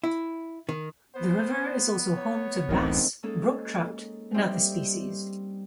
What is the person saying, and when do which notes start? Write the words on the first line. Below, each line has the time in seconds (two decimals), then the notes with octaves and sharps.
The river is also home to bass, brook trout, and other species.
0.04 E4
0.69 D#3
1.15 B3 C5
2.17 C#5
2.69 D1 A1 C4 D#4 A#4
3.23 G#3 A#3 C#4 D#4 A4
4.34 G3 C4 D#4 C5 E5